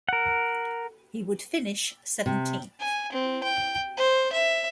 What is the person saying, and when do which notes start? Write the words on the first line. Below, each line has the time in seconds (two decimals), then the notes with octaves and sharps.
He would finish seventeenth.
0.09 A#4 F#5
2.26 C3
2.80 G#5
3.13 C4
3.44 G5
3.97 C5
4.33 E5